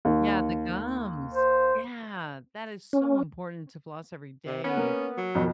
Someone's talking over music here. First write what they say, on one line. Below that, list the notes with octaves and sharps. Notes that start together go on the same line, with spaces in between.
Yeah, the gums. Yeah, that is so important to floss every day
D#2
C5
C#4
C3
B3 C#4
A#3
F#3
F2 B2 D#3